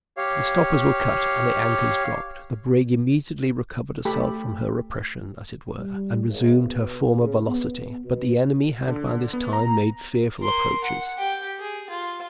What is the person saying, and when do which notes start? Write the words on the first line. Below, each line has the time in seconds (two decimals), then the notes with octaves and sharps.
The stoppers were cut, and the anchors dropped; the brig immediately recovered herself from her oppression, as it were, and resumed her former velocity; but the enemy had by this time made fearful approaches.
0.17 G4 C#5 F5
4.05 A3 G4 A4 B5
5.78 G3
6.29 G#1
6.61 B2
7.18 C#3
7.47 B3
8.05 B2
8.88 D3
9.33 B3
9.53 A#5
10.39 A#4 C6
10.84 F#5
11.17 G4 G5
11.59 G#4
11.90 F4